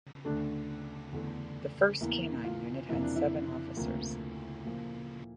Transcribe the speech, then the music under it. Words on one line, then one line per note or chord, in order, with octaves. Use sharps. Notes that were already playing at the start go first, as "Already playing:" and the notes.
The first canine unit had seven officers.
D2 D3 A3 D4
E2 D3 A3
E2 E3 A#3 E4
F4
F2 C3 E3 A#3 E4
D4
E4
D2 C3 F3 A#3
A#2 F3 A#3